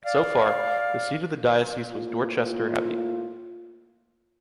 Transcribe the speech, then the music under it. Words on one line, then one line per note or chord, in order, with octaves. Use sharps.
So far, the seat of the diocese was Dorchester Abbey.
D5 F5
A2 A#3 F4